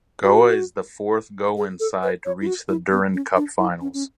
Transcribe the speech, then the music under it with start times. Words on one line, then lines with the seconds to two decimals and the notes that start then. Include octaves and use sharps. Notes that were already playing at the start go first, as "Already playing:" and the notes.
Goa is the fourth Goan side to reach the Durand Cup finals.
0.23 F#4
1.57 G#4
1.80 A4
2.03 B4
2.25 C#5
2.41 E4
2.47 F#4
2.69 E4
2.91 B3
3.14 C#4
3.36 D4
3.58 E4
3.81 C#4
3.94 C#4